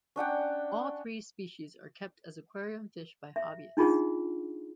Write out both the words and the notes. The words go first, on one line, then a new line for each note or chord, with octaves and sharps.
All three species are kept as aquarium fish by hobbyists.
C#4 D4 F#5 G5
E5
D4 D#4 F4 G#4 F#5